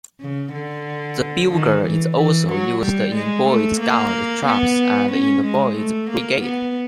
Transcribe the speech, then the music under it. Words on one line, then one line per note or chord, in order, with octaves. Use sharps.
The bugle is also used in Boy Scout troops and in the Boys' Brigade.
C#3
D3
D#3
E3
E3
F#3
G3
G#3
A3
A#3
B3
C#4
G#3
A3
A#3
B3